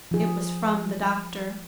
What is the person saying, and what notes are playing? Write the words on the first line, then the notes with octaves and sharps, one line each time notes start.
It was from the doctor.
F3 G#4